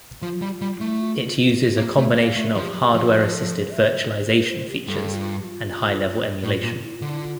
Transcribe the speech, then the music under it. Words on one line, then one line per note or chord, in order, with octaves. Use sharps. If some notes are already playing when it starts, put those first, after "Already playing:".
It uses a combination of hardware-assisted virtualization features and high-level emulation.
F3 F4
G3
G4
F4
G3
F4
A3 E4
F4
F4
A#3 F4
A3 E5
A#3 F5
A3 F5
E5
F3 G4
G4
F3 F4
G4
F4
A4
E5
C5
A#4
C5
G4
G2 A4
F4
G4
F4
A2 F4
A#2
E4
F4
D3
E4
F4